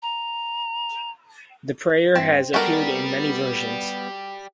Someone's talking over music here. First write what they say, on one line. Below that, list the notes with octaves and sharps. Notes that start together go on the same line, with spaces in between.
The prayer has appeared in many versions.
A#5
G2 C4
G3 B3 F#4 G4 A4 A#4 D5